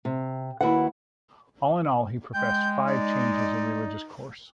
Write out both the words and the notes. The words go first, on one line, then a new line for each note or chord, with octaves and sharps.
All in all, he professed five changes in religious course.
C3
D#2 E4 F#4 B4 F#5
G#3 G5 G6
D#4 D5